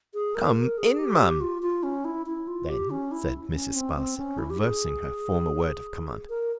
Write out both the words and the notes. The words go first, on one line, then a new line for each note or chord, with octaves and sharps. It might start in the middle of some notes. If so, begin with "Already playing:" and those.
Come in, ma’am!’ then said Mrs. Sparsit, reversing her former word of command.
G#4
A#4
A#4
G#4
G4
G4
F4
F4
C#4
E4
E4
F4
G4
C#4
E4
C#4
C4
C4
C#4
E4
G4
G#4
A#4